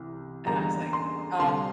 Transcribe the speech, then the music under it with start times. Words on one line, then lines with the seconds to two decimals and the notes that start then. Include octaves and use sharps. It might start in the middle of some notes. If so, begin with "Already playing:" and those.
and I was like, "Uh,
Already playing: C2 C3 E3
0.46 E2 D3 G3 A#3 A#5
0.93 C6
1.39 D2 C3 G3 C4 C6